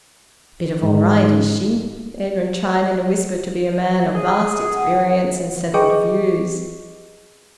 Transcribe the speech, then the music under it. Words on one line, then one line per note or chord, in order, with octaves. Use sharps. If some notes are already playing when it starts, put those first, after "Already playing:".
"Bit of all right, is she?" Edwin tried in a whisper to be a man of vast experience and settled views.
G#2
G#4
F#5
G#4 B4 D#5 G5 C#6 D6